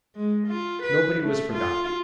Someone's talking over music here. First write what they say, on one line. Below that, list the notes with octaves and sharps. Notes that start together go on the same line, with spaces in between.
Nobody was forgotten.
G#3
F4
B4
A3
F4